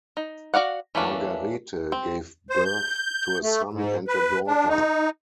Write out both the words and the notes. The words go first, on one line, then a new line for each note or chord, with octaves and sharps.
Margarete gave birth to a son and a daughter.
D#4
F#4 D5 F5 F#5
E3 A3 A#3 C#4 D4
C4
C5
G6
A3
G#2
B4
D4
D#4